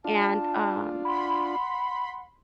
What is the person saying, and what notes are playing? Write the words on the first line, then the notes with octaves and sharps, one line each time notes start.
and, um,
D4 F4 A5
F#5 B5 C6